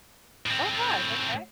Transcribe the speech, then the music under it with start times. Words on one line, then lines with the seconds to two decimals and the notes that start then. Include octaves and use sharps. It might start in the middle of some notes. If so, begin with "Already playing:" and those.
Oh gosh! Okay.
0.46 A2 C4